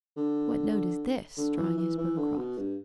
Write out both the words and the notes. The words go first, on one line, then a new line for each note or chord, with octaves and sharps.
"What note is this?" drawing his bow across.
D3
D3
E3
E3
E3
D3
B2
G2